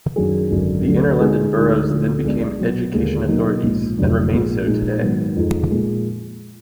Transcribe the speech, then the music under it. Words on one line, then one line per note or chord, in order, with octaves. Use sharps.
The Inner London boroughs then became education authorities, and remain so today.
F#2 D#3 F#3 D4 G#4
G#1 F#2 D3 F#3 D4
D2 D3 F#3 D4
D3 G#3 D#4
D2 D3 G#3 D#4
D2 D3 F3
B1 B2 G#3 D4
B2 F#3 B3
D#2 D3 G#3
B2 F#3 A#3 D#4
A#1 G#2 F3
F1 F2 D3 F#3 D4
A#1 G#2 F3 G#3
A#2 F3 G#3 D#4
G#2 D#3 F#3 B3
F2 F3 G#3 D#4
A#2 F3 G#3